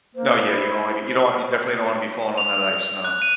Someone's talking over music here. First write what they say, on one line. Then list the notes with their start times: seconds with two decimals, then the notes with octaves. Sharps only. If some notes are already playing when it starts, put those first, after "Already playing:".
No, yeah, you don't wanna be you don't you definitely don't wanna be falling on that ice, no.
0.15 A#3 C5
0.44 E4
2.38 F7
3.05 F#6
3.22 D#7